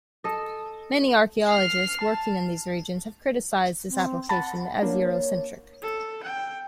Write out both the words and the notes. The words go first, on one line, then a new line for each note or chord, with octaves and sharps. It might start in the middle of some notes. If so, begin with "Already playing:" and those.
Many archaeologists working in these regions have criticized this application as eurocentric.
A4 D#5
F6 C7
A5
C4
F#5 A5 B5 A6
A#3 D4 C#5
A4
G5